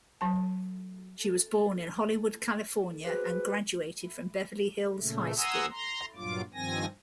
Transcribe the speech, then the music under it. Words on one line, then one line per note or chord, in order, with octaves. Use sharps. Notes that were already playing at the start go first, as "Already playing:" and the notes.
She was born in Hollywood, California and graduated from Beverly Hills High School.
F#3 A5
F#4 G#4 B4 C5
A#2 C#3 A3
F#5 G#5 A#5 C6 D#6 E6
A#5 C6
G2 A#2 F#3 F4 D6
G2 D#3 F3 C4 G#5 A#6